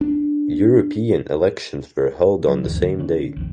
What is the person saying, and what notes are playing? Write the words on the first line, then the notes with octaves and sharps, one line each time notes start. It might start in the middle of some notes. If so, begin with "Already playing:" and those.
European elections were held on the same day.
D4
F#3
F#1 D2 G2 E3
D3 A3
D3 A3 C#4 D4
A#1 F2 D#3